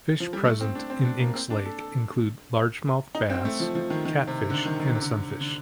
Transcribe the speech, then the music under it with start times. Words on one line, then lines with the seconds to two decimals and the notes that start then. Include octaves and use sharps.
Fish present in Inks Lake include largemouth bass, catfish, and sunfish.
0.20 F3
0.33 G3
0.45 A3
0.61 C4
0.75 D4
0.90 C4
1.05 D4
1.20 A#3
1.35 C4
1.50 D4
1.66 A4
1.80 A4
3.15 D#4
3.30 C4
3.45 A3
3.60 F3
3.75 F3
3.90 D#3
4.05 D#3
4.27 C3
4.50 D3
4.66 D#3
4.80 D#3
4.88 D3
4.95 C3
5.02 D3
5.41 D3